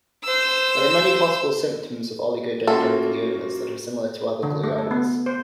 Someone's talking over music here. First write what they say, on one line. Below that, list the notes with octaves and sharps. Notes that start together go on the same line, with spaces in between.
There are many possible symptoms of oligodendrogliomas that are similar to other gliomas.
C5 E6
A#3 C#4 F4 F#4 A4 E5 F#5 C6
D3
A3
A4
B3
C5